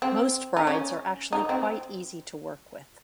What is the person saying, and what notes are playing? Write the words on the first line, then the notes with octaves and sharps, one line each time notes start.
Most brides are actually quite easy to work with.
C4
D#4
C#4
D#4
C4